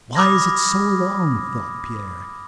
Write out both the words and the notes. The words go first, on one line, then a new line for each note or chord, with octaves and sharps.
"Why is it so long?" thought Pierre.
B5 D6 D#6 F6 G#6 A#6